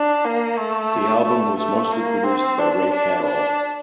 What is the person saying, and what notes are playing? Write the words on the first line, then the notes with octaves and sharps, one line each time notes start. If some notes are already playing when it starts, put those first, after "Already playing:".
The album was mostly produced by Ray Carroll.
Already playing: D4
A#3
A3
A3
A3
A#3
C4
D4
D4
D4